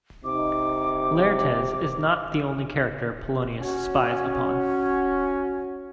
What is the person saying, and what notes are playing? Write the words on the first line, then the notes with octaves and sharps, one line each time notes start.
Laertes is not the only character Polonius spies upon.
C3 D#4 D6
C#4 F#4